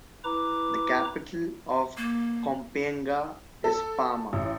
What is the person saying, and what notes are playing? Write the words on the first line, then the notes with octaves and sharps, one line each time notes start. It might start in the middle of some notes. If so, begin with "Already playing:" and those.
The capital of Kompienga is Pama.
E4 B4 A#5 D6
A#3
A4
A1